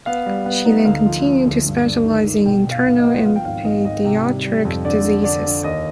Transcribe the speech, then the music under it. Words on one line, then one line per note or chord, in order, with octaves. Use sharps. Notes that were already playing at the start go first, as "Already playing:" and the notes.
She then continued to specialize in internal and pediatric diseases.
B3 F5
G3
B3
D#4
D2 F5
F3
F3
D2
G2
G2
D#3
D#3
B2 G5
B2
F5
B1
D#5
B3
F3 F5
G5
G#1 F5
G#2 D#5
G#1 D#5
C3 G5
G3
G3
F2
D3 D5
D3
D3 D5
D3
D#2 D#5